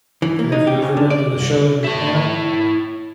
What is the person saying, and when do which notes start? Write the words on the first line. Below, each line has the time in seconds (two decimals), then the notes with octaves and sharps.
Have you ever been to the show in Japan?
0.22 E3
0.39 A#3
0.52 D#4
0.67 G4
0.82 C#3
0.97 D3
1.10 D5
1.39 C2
1.84 E4 C#5